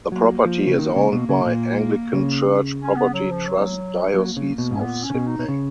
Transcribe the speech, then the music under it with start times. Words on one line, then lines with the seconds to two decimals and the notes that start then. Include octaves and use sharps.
The property is owned by Anglican Church Property Trust Diocese of Sydney.
0.11 F#3 A#3
0.45 F3
0.67 C#3
0.79 D#3
0.96 C#3
1.12 B2
1.29 C#3
1.46 A#2
2.13 C#3
2.80 C#4
2.96 B3
3.13 F#3
3.31 F3
3.48 F#3
4.14 F#3 A#3
4.37 C#3
4.58 B2
4.71 G#2 C#4
4.81 A#2 B3
5.03 C#4
5.10 C#3
5.15 B2
5.26 D#4
5.39 B2
5.48 C#3